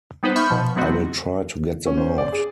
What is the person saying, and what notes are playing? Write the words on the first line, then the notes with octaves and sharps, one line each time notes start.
I will try to get them out.
G3 B3 D#4 B4 C5
E5 B5 C#6 F6 G6
B2 F3
F#3 A3 B3 C4 F#4 D#5
C#4
C5
D5
G#4